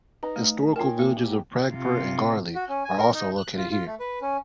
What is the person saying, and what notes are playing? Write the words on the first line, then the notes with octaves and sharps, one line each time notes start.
Historical villages of Pragpur and Garli are also located here.
D#4 B4 A#5
A3
F4 A#4 C#5 G5 G#5
A#3
G4
C3 F4
F#4
C#4
G#5
A#4
D#4
F#6
F4
F4
A3
B4
C#4